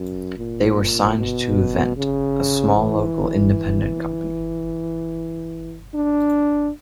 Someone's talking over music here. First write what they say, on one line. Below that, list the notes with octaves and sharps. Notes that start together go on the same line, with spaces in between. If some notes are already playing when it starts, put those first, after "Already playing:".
They were signed to Vent, a small local Independent company.
Already playing: F#2
A#2
B2
C#3
E3
D4